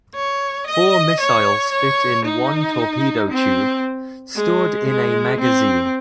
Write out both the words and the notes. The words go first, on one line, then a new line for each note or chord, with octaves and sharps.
Four missiles fit in one torpedo tube, stored in a magazine.
C#5
D#5
C#5
C#5
D#4
C4
G#3
G#3
C4